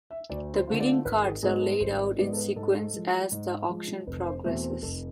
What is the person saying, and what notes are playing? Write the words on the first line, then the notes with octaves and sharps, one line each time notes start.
The bidding cards are laid out in sequence as the auction progresses.
E5
D2 D5
C5
D3 A3 C4 F4
D5
G#1 B4
G#4
G#2 G#3 B3 G#4
A4
G#1 C5
D5
G#2 G#3 B3 D5
A4
B4
G#2 A4
F3 G#3
G#2
F3 G#3
F1 B4
C5
E2 B2 A3 C4 E5
C5
F1 A4